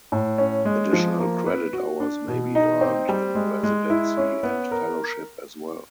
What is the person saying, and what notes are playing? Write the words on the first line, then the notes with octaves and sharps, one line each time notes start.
Additional credit hours may be earned in residency and fellowship as well.
A2
C#4
G#3
F3
A#3
B4
F#4
D4
B2
D#4
C4
G3
G#3
G#3
E4
C#4
B3
A#4